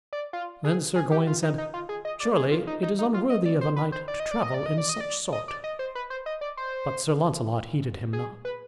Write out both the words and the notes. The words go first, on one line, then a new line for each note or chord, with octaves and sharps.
Then Sir Gawain said, "Surely it is unworthy of a knight to travel in such sort;" but Sir Launcelot heeded him not.
D5
F4
G#4
G#4
G4
F4
D#4
D#4
F4
G#4
D#5
D5
G#4
F4
D#4
D#4
D#4
F4
D#5
D5
C5
B4
C5
D5
D#5
D5
D#5
D5
D#5
D5
D#5
D5
D#5
D5
D#5
C5
B4
C5
D#5
D5
C5
G#4
B4